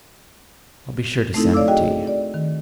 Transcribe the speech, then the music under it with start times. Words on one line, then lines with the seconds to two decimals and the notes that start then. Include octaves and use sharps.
I'll be sure to send it to you.
1.34 A3 C4 D#4 E4 A4
1.53 C#5 D5 F5 D6 E6
1.68 F#4 G#4 D#5 G5
2.07 D5
2.34 D#3